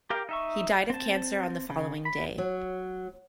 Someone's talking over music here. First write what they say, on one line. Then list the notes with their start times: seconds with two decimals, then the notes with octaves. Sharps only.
He died of cancer on the following day.
0.10 G4 A#4 F5 G5
0.29 D#4 E5 C#6
0.90 C4 A5
1.70 C#3
2.05 B5
2.38 F#3